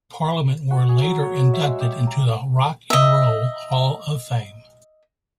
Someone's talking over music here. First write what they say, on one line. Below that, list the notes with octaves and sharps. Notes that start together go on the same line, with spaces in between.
Parliament were later inducted into the Rock and Roll Hall of Fame.
F#4
G#4
F#3
C#5
E5
G#3
G4
A#5
D#5 E5